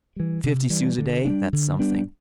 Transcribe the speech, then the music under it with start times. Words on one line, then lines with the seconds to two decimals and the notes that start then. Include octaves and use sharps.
Fifty sous a day, that's something.
0.16 E3 G3
0.44 C3
0.70 E3 G3
0.98 D3
1.25 B3 D4
1.30 G3
1.53 D3
1.79 G3 B3 D4